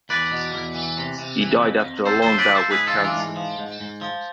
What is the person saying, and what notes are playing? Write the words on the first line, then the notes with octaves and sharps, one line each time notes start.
He died after a long bout with cancer.
E2 B4 D5
B2
E2
E3
C3
C3
E3
F2
F2
A2 A4 C5
F3 A4 C5
B4 D5
F3
A4 C5
G#2 G#4 B4
F4 A4
E3
D4 F4
G#2
F3
G#2
G#2
F3